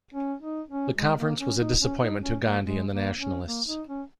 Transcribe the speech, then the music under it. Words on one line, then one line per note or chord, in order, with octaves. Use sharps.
The conference was a disappointment to Gandhi and the nationalists.
C#4
D#4
C#4
G#3
A#3
C#4
D#4
C#4
D#4
C#4
A#3
G#3
A#3
C#4
A#3
D#4
C#4